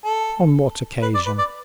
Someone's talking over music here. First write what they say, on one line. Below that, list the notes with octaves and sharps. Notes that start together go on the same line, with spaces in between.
"On what occasion?"
A4
B4
D5
B4
D5